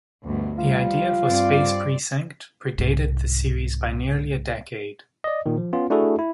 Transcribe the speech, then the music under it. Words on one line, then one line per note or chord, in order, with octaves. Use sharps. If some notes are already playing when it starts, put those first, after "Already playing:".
The idea for "Space Precinct" predated the series by nearly a decade.
D2 G2 B2
F3 G3 F4
G2 C4 D5
C2 G#2
D5 D#5
A#2 D#3
F3
B3 C#4 F4
A3 D4 E4 F#4 G#4 A4
E4